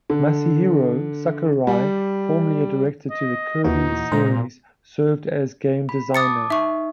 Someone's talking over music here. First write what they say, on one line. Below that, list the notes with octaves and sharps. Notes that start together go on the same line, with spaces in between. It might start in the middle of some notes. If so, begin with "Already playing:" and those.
Masahiro Sakurai, formerly a director to the "Kirby" series, served as game designer.
D3
G3
D#5
D#2 A#2 E3 D#4 F#4
A#2 G#3 C5 A#5
B5
A5 D6 D#6 A6 C#7
D#4 E5 C#6